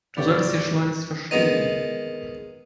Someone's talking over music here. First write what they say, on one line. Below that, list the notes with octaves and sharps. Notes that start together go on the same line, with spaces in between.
Du solltest hier schleunigst verschwinden.
F#1 A2 B3 G4 C#5 D5
D#3 G#3 B3 D#4